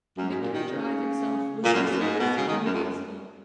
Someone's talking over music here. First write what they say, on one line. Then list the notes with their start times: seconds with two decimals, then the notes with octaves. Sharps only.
Victory Drive itself was resurfaced with new asphalt.
0.16 F#2
0.29 G#2
0.41 A#2
0.53 D#3
0.71 C#3
1.63 A#2
1.73 F#2
1.83 F2
1.91 F#2
2.01 G#2
2.20 B2
2.38 C#3
2.47 D#3
2.65 F#2
2.75 F2
2.84 F#2